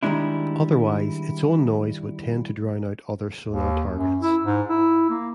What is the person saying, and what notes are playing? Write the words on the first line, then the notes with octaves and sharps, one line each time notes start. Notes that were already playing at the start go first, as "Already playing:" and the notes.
Otherwise, its own noise would tend to drown out other sonar targets.
D#3 F3 G3 G#3 D4 E4
D#2
F#2
E4
G#2
E4
A#3